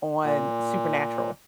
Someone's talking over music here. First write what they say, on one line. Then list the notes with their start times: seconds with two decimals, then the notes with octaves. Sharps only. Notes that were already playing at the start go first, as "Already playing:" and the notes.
on Supernatural.
0.24 A#2